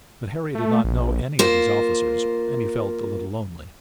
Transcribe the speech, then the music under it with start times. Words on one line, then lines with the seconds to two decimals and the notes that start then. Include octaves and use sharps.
But Harry did not know any of these officers and he felt a little lonely.
0.55 A3
0.84 A#1
1.39 A#3 F4 C5